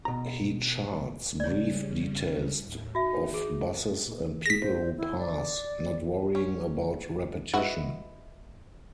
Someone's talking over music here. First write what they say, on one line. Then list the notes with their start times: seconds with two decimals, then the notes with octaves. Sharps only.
He charts brief details of buses and people who pass, not worrying about repetition.
0.05 B2 A#5
1.40 C#3 G3 C#4 C#5 D5
2.58 D#2 A2
2.95 D#4 F#4 E5
3.34 G#4
4.46 G#4 A#6 B6
4.61 C5
4.97 E4
5.19 D5
6.35 C#4
7.54 E4 F#4 B4 D#5 E5 F#5